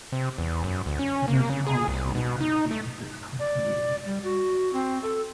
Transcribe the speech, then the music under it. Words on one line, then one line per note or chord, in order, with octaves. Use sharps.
This policy has been discontinued.
C3
E2
F#2
D2
C#4
A#3
C#3
G#4
C2
B2
D#4
A3
D5
G3
F#4
C4
A4